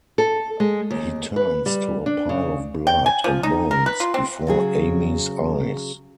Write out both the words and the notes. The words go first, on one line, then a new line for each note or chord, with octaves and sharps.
He turns to a pile of blood and bones before Amy's eyes.
A4
G#3
D#2
B4
G3
D4
C#3
G5
G#5
F3
D#4
A#4
B4
F4
C4
C#3 F#3 G#4